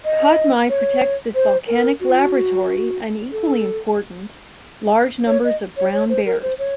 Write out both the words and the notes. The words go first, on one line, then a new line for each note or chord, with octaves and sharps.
Katmai protects this volcanic "laboratory" and, equally important, large numbers of brown bears.
D#5
C#5
C5
A#4
F#4
F4
F#4
A4
C#5
D#5
C#5
C#5
C5
A#4
C5
C#5